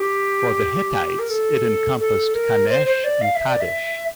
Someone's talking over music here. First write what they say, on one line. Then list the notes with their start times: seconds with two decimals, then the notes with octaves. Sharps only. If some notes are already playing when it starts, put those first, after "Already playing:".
For the Hittites, it encompassed Kanesh and Kadesh.
Already playing: G4
1.19 A#4
1.29 A4
2.00 A4
2.34 A#4
2.69 C5
2.86 C5
3.04 D5
3.21 F5
3.35 E5
3.48 D5
3.60 E5